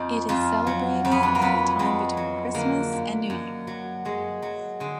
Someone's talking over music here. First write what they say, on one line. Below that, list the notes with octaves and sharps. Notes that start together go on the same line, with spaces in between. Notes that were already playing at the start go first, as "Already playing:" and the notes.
It is celebrated at a time between Christmas and New Year.
Already playing: F2 D#4
F2 F4
F#3
F2
B3
D4
A#3
F2 B3
F2 G#3
F#3
D3 A#3
F#2
F#2
F#3
F#3 G#3
F#3
D3 G#3